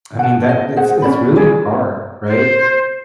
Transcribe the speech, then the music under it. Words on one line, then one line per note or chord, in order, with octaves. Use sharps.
I mean, that it's it's really hard, right?
F#5 A5
D#5
G#4 C5 F#5
C#4 C5 D5 B5
G#4 D5
C5